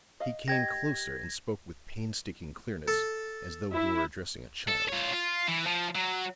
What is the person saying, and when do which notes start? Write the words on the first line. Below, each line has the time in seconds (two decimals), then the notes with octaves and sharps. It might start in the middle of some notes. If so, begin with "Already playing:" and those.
He came closer and spoke with painstaking clearness, as though he were addressing a child.
0.20 D#5 F5
0.48 G4 D#5 G#6 A#6
2.88 A4
3.72 E4
4.68 A4
4.89 F4 C#5
5.13 F4
5.48 E3
5.66 F3
5.95 F#3